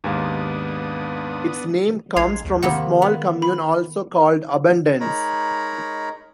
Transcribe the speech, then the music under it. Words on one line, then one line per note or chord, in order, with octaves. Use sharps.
Its name comes from a small commune also called Abondance.
D#2 G#2 B3 D4 F5 D#6
A#1 G#3 G#6 C7 F7
D#2
C3 D#3 A#3 F#5 B5
B3
B5
G#3 D#4 A#4 C#5 A#5 B5